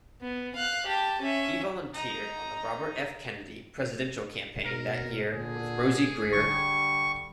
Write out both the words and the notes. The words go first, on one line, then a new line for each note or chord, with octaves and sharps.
He volunteered on the Robert F. Kennedy presidential campaign that year with Rosie Grier.
B3
F5 F#6
G4 A5
C#4 E5
D#4 A#5
B2 A#4
A#2 D3 G#4
D3 G3 C#6